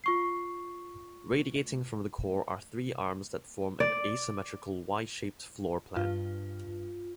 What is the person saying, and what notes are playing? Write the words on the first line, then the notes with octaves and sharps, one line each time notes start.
Radiating from the core are three arms that form an asymmetrical Y-shaped floor plan.
F4 C#6 C7
D5
G2 F4